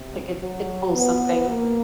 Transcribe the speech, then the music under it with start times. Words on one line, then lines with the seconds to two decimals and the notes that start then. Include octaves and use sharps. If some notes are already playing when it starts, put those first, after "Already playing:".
like, it it pulls something
Already playing: C3
0.39 F#3
0.93 B3
1.47 A#3